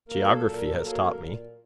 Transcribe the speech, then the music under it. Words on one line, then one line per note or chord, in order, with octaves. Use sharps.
"Geography has taught me."
A#3 A#4
F#3
A4
A#2 A4
A#4
A4
A#4
F#3 A#3 A4
A#4
A4
A#4
A#2